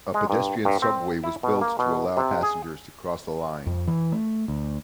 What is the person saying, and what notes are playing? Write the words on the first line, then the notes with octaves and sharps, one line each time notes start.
A pedestrian subway was built to allow passengers to cross the line.
G#3
G2
G2
C4
E4
B2
A#3
B2
C3
G#4
F2
E3
A3
D2